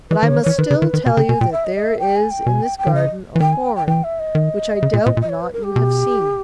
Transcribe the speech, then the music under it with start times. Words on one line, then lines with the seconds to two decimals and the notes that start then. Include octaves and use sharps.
But I must still tell you that there is in this garden a horn which I doubt not you have seen.
0.11 E3 B4
0.23 D#3
0.27 C#3 C#5
0.36 D#3
0.43 E3 C#5
0.59 D#3 B4
0.71 C#3
0.82 D#3
0.94 D#3
1.05 B2 G#5
1.17 C#3 G5
1.29 B2 G#5
1.41 A#2 G5
1.52 E5
1.65 D#5
1.76 D#5
1.88 E5
1.99 G5
2.16 G#5
2.31 G5
2.46 B2 G#5
2.63 G5
2.78 G5
2.87 D#3
2.93 C#3 D#5
3.36 E3
3.40 D#3 G5
3.53 G#5
3.65 G5
3.76 G5
3.88 E3 G5
4.04 E5
4.20 D#5
4.35 D#3
4.83 C#3
4.93 A#2
5.06 A#2
5.17 A#2
5.22 D#5
5.29 C#5
5.41 B4
5.53 A#4
5.65 G4
5.76 B2